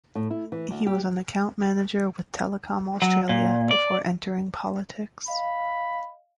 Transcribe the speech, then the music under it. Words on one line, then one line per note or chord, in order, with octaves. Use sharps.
He was an account manager with Telecom Australia before entering politics.
A2
E4
E3
D2
G4
F#3
A#2
D5
D#5 F5 B5